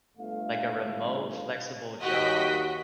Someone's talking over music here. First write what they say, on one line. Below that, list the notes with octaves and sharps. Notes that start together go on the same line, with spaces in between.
like, a remote flexible job,
G1 A3 F5
D#2 F#4 D#5 G5 B6